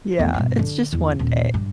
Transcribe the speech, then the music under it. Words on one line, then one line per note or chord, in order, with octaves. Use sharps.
Yeah, it's just one day.
E2 A3
G2 B2
D3
E2
D#1
G2